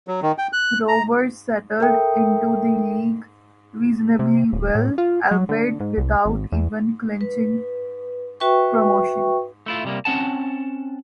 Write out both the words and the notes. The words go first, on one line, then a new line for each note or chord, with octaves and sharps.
Rovers settled into the League reasonably well, albeit without ever clinching promotion.
F#3
D#3
G5
F#6
A#5
A4 A#4 E5 G5 D#6
C3
D1
A2
F4
F#3
D3
G#2
C2
G#1
E2
B4
F#4 B4 E5 G5 C#6
A3 E4 F4
C3 G3 A#3
C4 C#4 F#5 A5